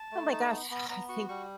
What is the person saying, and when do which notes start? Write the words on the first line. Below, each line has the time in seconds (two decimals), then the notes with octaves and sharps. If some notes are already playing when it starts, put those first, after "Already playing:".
Oh my gosh, I think
Already playing: A5
0.12 A3
0.32 D#4
0.51 B3
0.71 B3
0.90 B3 A#5
1.09 F#4 C#6
1.29 G3 C#6